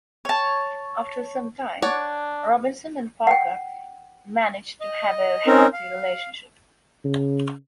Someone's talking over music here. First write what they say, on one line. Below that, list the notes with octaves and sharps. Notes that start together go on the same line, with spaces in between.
After some time, Robinson and Parker managed to have a hearty relationship.
C#5 A5
D4 C#5 D5 F#5
F#5 G5
D#5
C4 C#4 D#4 A#4
F5
C#3